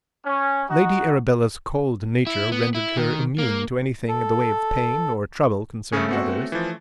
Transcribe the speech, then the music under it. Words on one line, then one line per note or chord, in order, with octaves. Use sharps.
Lady Arabella's cold nature rendered her immune to anything in the way of pain or trouble concerning others.
C#4
D#4 F#4
E4
B3
E4
D#3
A#3
A4
C#3 A3 C#4 G#4
B3 C4 F#4
E3 F3